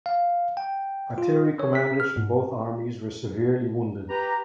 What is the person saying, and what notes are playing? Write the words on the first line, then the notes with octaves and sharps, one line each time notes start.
Artillery commanders from both armies were severely wounded.
F5
G5
F4
C#5
B6
F6
G#2
G4 B4 A#5